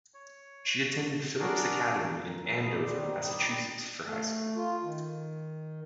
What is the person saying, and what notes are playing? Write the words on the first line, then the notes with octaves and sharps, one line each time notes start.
She attended Phillips Academy in Andover, Massachusetts for high school.
C#5
D4 F#4 G#4 A#4 D5
A#4
F#3
B3
D5
C4
D#3
D#4
G3
D#5
A3
F4
D#3